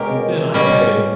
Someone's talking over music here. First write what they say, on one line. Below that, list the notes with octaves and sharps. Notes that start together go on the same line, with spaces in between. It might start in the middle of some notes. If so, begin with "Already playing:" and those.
And then I pay.
Already playing: B2 G#3 C#4 G4 A#4
B2 G3 C#4